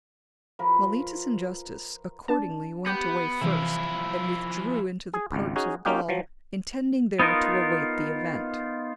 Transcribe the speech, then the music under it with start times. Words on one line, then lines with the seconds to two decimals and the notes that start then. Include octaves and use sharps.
Mellitus and Justus accordingly went away first, and withdrew into the parts of Gaul, intending there to await the event.
0.59 F3 A#4 B4
2.28 D4 A5
2.86 B3 G4 G6
3.41 C3 E3 F3 E4
5.14 G#4
5.32 G#1 C#2
5.56 C#4 D#4 F#4 G#4
5.85 A#3 C#4 D#4 F4 G4
6.09 F3 F#3
7.19 B3 D#4 F4 A#4